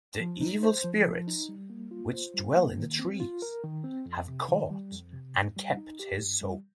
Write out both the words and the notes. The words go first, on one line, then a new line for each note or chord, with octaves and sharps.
The evil spirits which dwell in the trees have caught and kept his soul.
F3
D#4
C5
F3
F3
D#4
G3
A#3
F4
C5
G3
A#3
D#3
C4
F4
A#4
D#3
C4
F2
C3
D#3
G3
F2
C3
G2
G3
D#4
G4
G2
G3